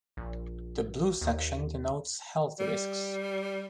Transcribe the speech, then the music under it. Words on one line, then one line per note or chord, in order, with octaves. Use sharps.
The blue section denotes health risks.
A#1
D#2
G3